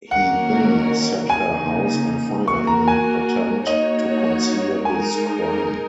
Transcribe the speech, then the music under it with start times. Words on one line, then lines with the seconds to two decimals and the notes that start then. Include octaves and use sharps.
He then set her house on fire in an attempt to conceal his crime.
0.11 D#3 A#3 C#4 F#4 A#4 F#5
1.30 C#3 A#3 D#4 G#5
2.48 A#3 F#4 A#4 C#6
2.67 A#5
2.88 G#5
3.66 A#3 D#4 F#4 C#5 D#5
4.85 G#3 D#4 A#4 G#5